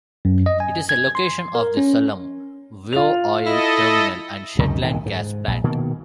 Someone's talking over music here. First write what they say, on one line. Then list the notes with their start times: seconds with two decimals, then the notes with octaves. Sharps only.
It is a location of the Sullom Voe oil terminal and Shetland Gas Plant.
0.25 F#2
0.46 D#5
0.60 G#5
0.89 G#6
1.15 C6
1.55 A#4
1.77 C#4
2.93 F4 F7
3.46 E4 A4 D#5
4.58 C#2 F#2 C3 D#3
4.81 D#1 G#2 D#3
5.06 G#2
5.48 A#1
5.64 B2 D#3 A#3